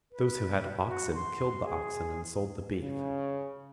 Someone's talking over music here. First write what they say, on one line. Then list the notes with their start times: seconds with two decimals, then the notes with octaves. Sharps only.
Those who had oxen killed the oxen and sold the beef.
0.11 B4
0.86 F#4
1.14 C6
1.64 G#4
2.81 C#3